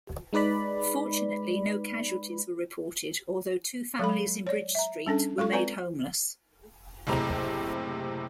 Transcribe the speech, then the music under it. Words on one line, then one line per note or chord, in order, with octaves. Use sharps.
Fortunately no casualties were reported although two families in Bridge street were made homeless.
G#3 D#4 B4 D5 B5
F#3 G#3 A4 B5
C#5 D5
E5 A#5
G3 C#4 D4 A4
G#3 F4 A4 C#6
C4 F4 B4 D5 G#5 A#5
F#1 A2 C3 A#5